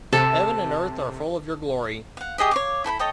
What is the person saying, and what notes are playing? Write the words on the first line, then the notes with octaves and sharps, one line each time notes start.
Heaven and earth are full of your glory.
C3 A4
F5 F#5
G4 G#4 D#5 E5
C#5 F5 D6
E4 A4 G5 B5
A4 C#5 D#5 G5